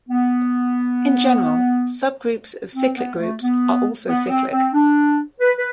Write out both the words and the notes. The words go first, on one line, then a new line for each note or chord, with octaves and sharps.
In general, subgroups of cyclic groups are also cyclic.
B3
C4
B3
A3
B3
B3
C4
C4
D4
B4
B4